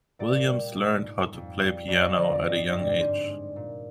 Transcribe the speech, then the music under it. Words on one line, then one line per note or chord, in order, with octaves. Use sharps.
Williams learned how to play piano at a young age.
A#2 D5
G3
G#2
G#2
F2
G3
F2 D5
D#5
D5
D3
D#5
D5
G2 D#5
D5
D#5
G2
D5
G#2 C5
G#3
A#2